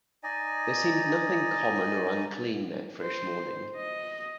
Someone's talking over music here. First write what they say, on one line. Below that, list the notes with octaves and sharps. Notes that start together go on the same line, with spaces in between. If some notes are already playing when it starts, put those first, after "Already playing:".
There seemed nothing common or unclean that fresh morning.
D#4 D5 D#5 G#5
C5
D#5